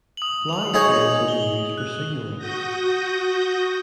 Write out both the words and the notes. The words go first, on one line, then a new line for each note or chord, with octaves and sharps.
Flags can also be used for signaling.
D#6 F#7
F7 F#7
D#4 G#4 C#5
G7
F#6
F#4 D#6 G6 A#6